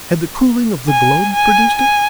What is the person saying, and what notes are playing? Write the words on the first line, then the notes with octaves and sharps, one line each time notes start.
Had the cooling of the globe produced it?
G#5
G#5
G#5